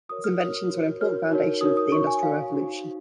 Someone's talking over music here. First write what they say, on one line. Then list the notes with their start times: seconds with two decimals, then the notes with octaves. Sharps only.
His inventions were an important foundation for the Industrial Revolution.
0.09 F#4 A#4 C#5 D#6
0.24 F6
0.39 F#4 A#4 C#5 D#6
0.70 F#4 A#4 C#5
1.01 F#4 A#4 C#5 F6
1.31 D#4 F#4 A#4 C#5
1.61 D#4 F#4 A#4 C#5 D#6
1.77 D#6
1.92 F#4 C#5 C#6
2.07 G#5
2.22 F#4 C#5 F5
2.53 D#4 F#4 C5
2.84 D#4